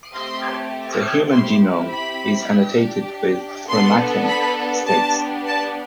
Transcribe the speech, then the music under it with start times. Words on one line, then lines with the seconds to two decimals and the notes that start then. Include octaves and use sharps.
The human genome is annotated with chromatin states.
0.14 A3 C4 G4 C6
1.32 C4 E4 G4 C6
1.92 B5
2.51 D4 G4
3.69 B3 D4 A4 C6
4.28 B5
4.88 B3 D4 G4 A5
5.47 A5